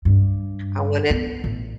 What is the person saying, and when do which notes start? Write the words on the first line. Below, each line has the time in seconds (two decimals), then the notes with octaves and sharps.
I wanted
0.05 G2
1.10 B3
1.44 A1